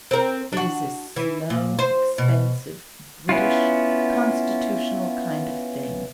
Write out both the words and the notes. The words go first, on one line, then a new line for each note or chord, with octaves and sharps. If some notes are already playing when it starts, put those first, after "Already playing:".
It is a slow, expensive, British, constitutional kind of thing.
C4 A#4
D4 F#4
E3
A#2
C5
B2
B3 C#4 E4 F4